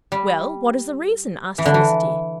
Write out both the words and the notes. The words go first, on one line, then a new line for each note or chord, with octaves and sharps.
"Well, what is the reason?" asked Felicity.
G3
E3
D3
E3